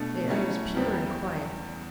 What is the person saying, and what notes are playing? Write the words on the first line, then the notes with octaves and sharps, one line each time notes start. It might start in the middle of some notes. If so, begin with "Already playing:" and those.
The air was pure and quiet.
Already playing: B2 A3 D4
C#3 F#3 A3 C#4 E4
E2 C#3 E3 G3 B3